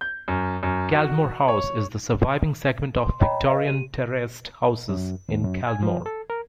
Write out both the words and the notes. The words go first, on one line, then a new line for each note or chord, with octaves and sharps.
Caldmore House is the surviving segment of Victorian terraced houses in Caldmore.
G6
F#2
F#2
F#4
C#5
C6
C#5 D#5 G5 A#5 B5
B4 D#5 F5
G4 D#7
F#2
D#2
F#2
G#5
F3
A4
A#4